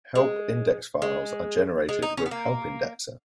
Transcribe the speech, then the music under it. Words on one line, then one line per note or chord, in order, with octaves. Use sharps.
Help index files are generated with Help Indexer.
G#3
G#3
G#3
D#4
C#4
B3
A#3